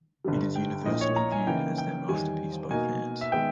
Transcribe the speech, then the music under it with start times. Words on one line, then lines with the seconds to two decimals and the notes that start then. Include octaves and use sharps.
It is universally viewed as their masterpiece by fans.
0.24 G1 G2 G3
0.55 G5
0.85 A#1 A#2 A#3 E4 D#5
1.01 C#5
1.16 A#5
1.32 G#5
1.47 C#3 E3 A#3 D#4 G5
1.78 G5
2.09 E2 D#3 G3 G#5
2.71 B2 A#3 D#4 A#4 G#5
3.21 E5
3.32 D#3 G#3 B3 G5